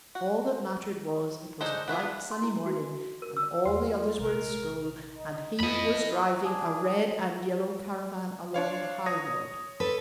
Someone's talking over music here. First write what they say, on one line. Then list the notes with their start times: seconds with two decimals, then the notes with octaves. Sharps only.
All that mattered was, it was a bright sunny morning, and all the others were in school, and he was driving a red and yellow caravan along the high road.
0.15 F#4
1.61 D4 D#4 G#4 A4 C5
1.88 B3 D4 E4 F4
2.31 C6
2.43 E4
2.66 F#4
3.22 A#4
3.37 E6
3.66 E2 A#3 F4 F5 C6
4.18 A#1 C3 A#4
5.12 D#4
5.60 F2 E3 F4 D#5 B5
5.95 E3 F#3
6.44 D4 G#4
8.54 D4 C#5 F5
9.06 C#5 D#6 A#6
9.80 A4 B4